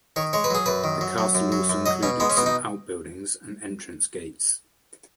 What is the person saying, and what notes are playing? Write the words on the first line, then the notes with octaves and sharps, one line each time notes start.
The castle also included some outbuildings and entrance gates.
D#3 C#5
G#3 C#5
B4
F#3 G#4
F#2 B4
D#3
F#3
F#3
F#2
F#3
F#2
F#3 D#5
B2 C#4
G#3 B3
C#4
B2 B3
D#4